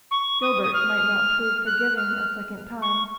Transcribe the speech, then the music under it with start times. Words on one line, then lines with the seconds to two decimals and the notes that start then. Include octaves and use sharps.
Gilbert might not prove forgiving a second time.
0.11 C#6
0.42 D#6
0.63 D#6
0.74 F6
1.66 F#6
1.97 F6
2.82 C#6